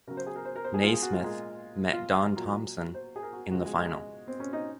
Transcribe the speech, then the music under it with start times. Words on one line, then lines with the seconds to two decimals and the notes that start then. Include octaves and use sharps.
Naismith met Don Thomson in the final.
0.07 C#3 F#3 A#4
0.17 C5
0.27 G#4
0.36 A#4
0.45 C5
0.56 A#4
0.64 C5
0.74 G#4
0.83 F4
0.93 G#4
1.03 F#4
1.13 F4
1.21 A#2 G#3
1.93 F4
2.37 A#2 F#3
2.94 C5
3.16 G#4
3.23 A#4
3.33 F#4
3.51 C#3 F3 G#3 F#4
3.65 G#3
3.80 G#3
4.28 C4
4.40 C#4
4.53 D#4